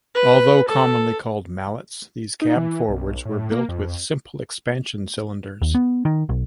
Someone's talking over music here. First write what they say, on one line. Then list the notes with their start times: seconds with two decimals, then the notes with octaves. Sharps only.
Although commonly called "Mallets" these cab-forwards were built with simple expansion cylinders.
0.14 B4
0.68 A4
2.42 D#4
2.56 E3
2.89 B1
3.25 A2
3.51 A#3
3.69 F2
5.62 D#2
5.75 B3
6.05 D#3
6.29 B1